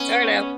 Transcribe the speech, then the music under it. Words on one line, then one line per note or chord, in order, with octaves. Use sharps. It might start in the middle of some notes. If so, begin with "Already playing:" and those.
sort of
Already playing: B3 C#4